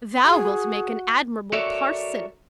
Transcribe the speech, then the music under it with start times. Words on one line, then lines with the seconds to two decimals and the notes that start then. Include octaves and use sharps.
Thou wilt make an admirable parson.
0.25 F#4 G#4
1.53 F#4 A4 A#4 C#5 D5 E5